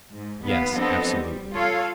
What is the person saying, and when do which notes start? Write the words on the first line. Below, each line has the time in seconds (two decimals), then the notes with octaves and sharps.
"Yes; absolutely."
0.12 G#2
0.43 D#2 B3 B4 F5
0.76 F3 B3 C4 D4 A4 D#5
1.12 G3
1.55 F4 A4 C#5 F5